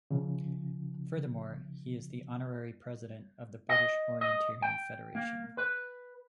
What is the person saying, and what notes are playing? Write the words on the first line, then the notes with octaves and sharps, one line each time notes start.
Furthermore, he is the Honorary President of the British Orienteering Federation.
C#3 F3
D#5
D#5
G5
A#3
B4